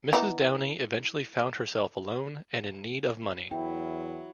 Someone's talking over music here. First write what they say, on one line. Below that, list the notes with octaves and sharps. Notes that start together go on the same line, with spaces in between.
Mrs Downing eventually found herself alone and in need of money.
E3 B3 D#4
E2 F#3 E4 G5